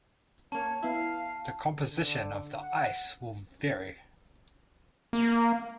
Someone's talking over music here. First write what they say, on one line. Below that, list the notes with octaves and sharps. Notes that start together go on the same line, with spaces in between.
The composition of the ice will vary.
A#3 C#4 C#5 A5
B3 E4 F5
D3
F#5
A#3